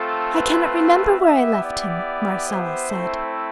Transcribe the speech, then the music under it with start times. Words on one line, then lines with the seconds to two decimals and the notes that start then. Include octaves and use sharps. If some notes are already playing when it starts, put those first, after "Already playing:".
"I cannot remember where I left him!" Marcella said.
Already playing: A3 C4 F4 A4
0.31 B4
0.74 B4
1.17 B3 E4 G4 E5
1.61 D5
2.47 C5
2.90 A3 C4 E4